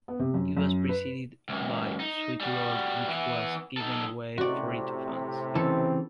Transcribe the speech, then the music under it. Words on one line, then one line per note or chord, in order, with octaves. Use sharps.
It was preceded by "Sweet Lord" which was given away free to fans.
B3
C3
F#2
F#2
B4
C#2 F#2
D#4
G3 F#4
E3 B3
D#4 A4
A2 C3 F#4 D5
C#3 E3 C4 A4